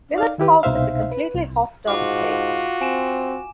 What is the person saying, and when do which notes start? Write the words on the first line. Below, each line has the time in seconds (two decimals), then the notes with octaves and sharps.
Willard calls this a completely Hausdorff space.
0.14 D#4 D5 F5
0.38 D#3 E4 G4 B4
0.63 C2 B2 D#4 C5 E5 F5
1.12 B4
1.34 C2
1.88 G#2 F4 F#4 D6
2.81 C4 G#5 E7